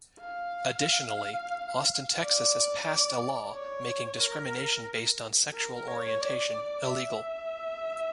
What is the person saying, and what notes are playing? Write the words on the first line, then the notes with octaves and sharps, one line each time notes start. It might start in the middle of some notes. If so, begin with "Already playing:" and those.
Additionally, Austin, Texas has passed a law making discrimination based on sexual orientation illegal.
F5
D5
C#5
A#4
A#4
C#5
D5
E5